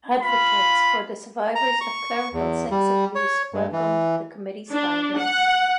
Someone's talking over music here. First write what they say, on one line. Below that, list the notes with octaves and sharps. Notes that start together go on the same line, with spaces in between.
Advocates for the survivors of clerical sex abuse welcomed the committee's findings.
F4 F5 B5
A#5
C#6
E2
G3
C#5
G2
E3
D4
F#5